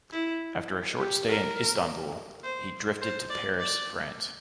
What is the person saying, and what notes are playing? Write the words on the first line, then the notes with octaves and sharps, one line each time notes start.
After a short stay in Istanbul he drifted to Paris, France.
E4
G4
A#4
C5
C5
D5
D5